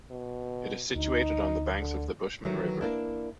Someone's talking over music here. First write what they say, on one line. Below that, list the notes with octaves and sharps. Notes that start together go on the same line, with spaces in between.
It is situated on the banks of the Bushman River.
B2
D2 D#4
D3
D#3 E3 F#3 A3
A#3 D4 E4